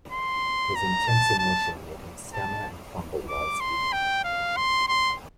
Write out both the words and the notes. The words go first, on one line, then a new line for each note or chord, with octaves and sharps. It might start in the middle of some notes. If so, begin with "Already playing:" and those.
His intense emotion made him stammer and fumble while speaking.
C6
A#5
A5
A5
A5
D6
C6
G5
F5
C6
C6